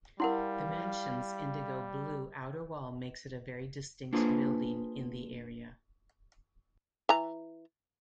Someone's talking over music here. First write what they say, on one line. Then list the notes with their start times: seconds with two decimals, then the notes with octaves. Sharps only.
The mansion's indigo-blue outer wall makes it a very distinct building in the area.
0.20 G3 E4 A#4 F5 F#5 C6
4.13 A#3 D4 F4 G#4 B4 C5
7.09 E3 A#5